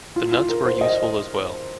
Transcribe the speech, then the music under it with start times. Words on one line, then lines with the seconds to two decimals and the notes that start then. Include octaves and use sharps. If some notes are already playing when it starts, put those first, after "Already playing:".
The nuts were useful as well.
0.16 F4
0.32 F4
0.49 A#4
0.65 C5
0.81 D#5